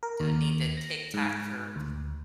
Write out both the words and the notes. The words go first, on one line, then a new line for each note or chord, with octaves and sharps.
don't need the TikTok for
A#4
D#2
A#6
G#2
D2